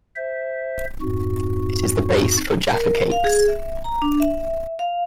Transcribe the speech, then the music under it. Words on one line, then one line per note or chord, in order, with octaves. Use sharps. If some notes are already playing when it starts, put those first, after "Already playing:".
It is the base for Jaffa Cakes.
C5 E5
F2 G#2 F#4
A#4
F5
G#4
E5
A#5
D4
E5
F5